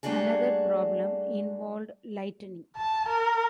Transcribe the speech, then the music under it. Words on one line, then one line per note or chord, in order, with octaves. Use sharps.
Another problem involved lighting.
G3 A3 A#3 D4 F#4 G#4
A5
A#4